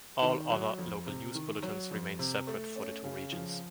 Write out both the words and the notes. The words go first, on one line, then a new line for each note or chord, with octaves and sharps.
All other local news bulletins remained separate for the two regions.
D#3
F#3
F2
C3
D#3
F#3
F2
C3
A3
C#4
C#3
F3